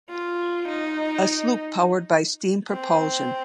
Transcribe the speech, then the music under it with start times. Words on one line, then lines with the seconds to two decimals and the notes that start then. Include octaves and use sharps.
A sloop powered by steam propulsion.
0.10 F4
0.68 D#4
2.72 C4